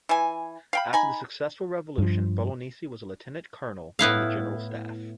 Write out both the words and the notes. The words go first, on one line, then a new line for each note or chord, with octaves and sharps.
After the successful revolution, Bolognesi was a Lieutenant Colonel on the General Staff.
E3 G#5
F5 G5 B5
D#4 G#5 B5
G2 F3
A2 B3 E4 F5